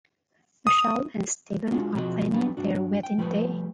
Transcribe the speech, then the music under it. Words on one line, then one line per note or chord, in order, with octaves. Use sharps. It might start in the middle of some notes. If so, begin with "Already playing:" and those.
Michelle and Stephen are planning their wedding day.
D#6
G#3 D4 F4 F#4
B2 F3 C4 F#4 C#5 D#5
F#3 G3 B3 D4
G2 D4 F#4
G5
F3 G3 A3 A4 B4 C#5